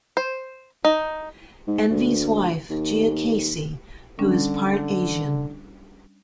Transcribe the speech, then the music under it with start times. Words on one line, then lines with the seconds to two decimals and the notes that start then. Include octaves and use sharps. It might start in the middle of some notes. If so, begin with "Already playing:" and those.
Envy's wife, Gia Casey, who is part Asian.
0.17 C5
0.85 D#4
1.67 G#2
1.90 D2
2.70 D#2
4.19 D3 G3 C#4 D4